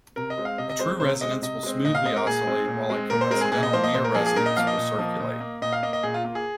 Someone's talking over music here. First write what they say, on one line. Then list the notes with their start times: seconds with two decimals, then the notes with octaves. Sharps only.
A true resonance will smoothly oscillate while a coincidental near resonance will circulate.
0.16 C3 A#4
0.30 D#5
0.38 G#3 C4
0.45 F5
0.58 C3 D#5
0.69 D#5
0.79 G#3 C4 C5
1.00 C3 C5
1.21 G#3 C4 D#5
1.42 C3 D#5
1.63 G#3 C4
1.84 A#2 D#5
1.95 F5
2.06 G#3 C4 D#5
2.16 A#4
2.26 A#2 G#4
2.47 G#3 C4
2.68 A#2
2.90 G#3 C4
3.10 A#2 A#4
3.21 C5
3.31 G#3 C4 A#4
3.41 G#4
3.52 A#2 G#4
3.63 D#5
3.73 F3 A#3 C5
3.84 D#5
3.94 A#2 C5
4.05 A#4
4.14 F3 A#3 G#4
4.26 G#4
4.36 A#2 A#4
4.46 D#5
4.57 F3 A#3 F5
4.67 D#5
4.77 A#2
4.98 F3 A#3
5.20 A#2
5.40 A#3
5.62 A#2 D#5
5.73 F5
5.83 A#3 D#5
5.93 D#5
6.03 A#2 G#4
6.14 F4
6.25 A#3 F4
6.35 G#4